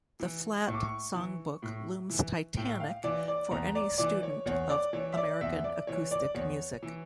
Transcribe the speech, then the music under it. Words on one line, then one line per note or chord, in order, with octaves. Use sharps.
The Flatt songbook looms titanic for any student of American acoustic music.
E3
A2 C#6
D6
C#6
E3
A2
E3
A2 G5
F5
E3 D5
D5
E2 A#5
D5
E3 D5
C#5
E2 C#5
D5
E3 C#5
E5
D5
E2 E5
D5
E3 C#5
D5
E2 C#5
E3